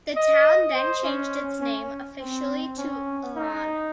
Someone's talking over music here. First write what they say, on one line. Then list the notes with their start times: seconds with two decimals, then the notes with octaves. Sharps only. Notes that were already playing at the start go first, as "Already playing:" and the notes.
The town then changed its name officially to Elon.
0.16 D#5
0.74 C5
1.03 C#4
1.61 C#4
2.20 C4
2.78 C#4
3.37 D#4